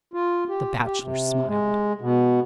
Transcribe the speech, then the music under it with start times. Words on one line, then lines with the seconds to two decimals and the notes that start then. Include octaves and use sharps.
The Bachelor smiled.
0.14 F4
0.48 G4
0.85 G4
1.01 C3
1.46 G#3
2.01 B2